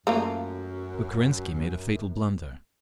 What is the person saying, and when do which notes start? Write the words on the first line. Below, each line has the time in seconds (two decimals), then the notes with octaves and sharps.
But Kerensky made a fatal blunder.
0.07 F#2 A3 A#3 F4